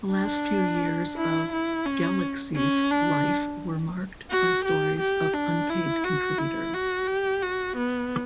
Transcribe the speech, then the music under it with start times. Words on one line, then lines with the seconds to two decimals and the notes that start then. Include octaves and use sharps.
The last few years of "Galaxy"s life were marked by stories of unpaid contributors.
0.13 D4
1.17 E4
1.52 E4
1.86 C#4
2.56 C#4
2.91 D4
4.30 F#4
4.65 G4
5.00 G4
5.33 D4
5.69 E4
6.04 F#4
6.38 E4
6.74 F#4
7.07 G4
7.42 F#4
7.77 B3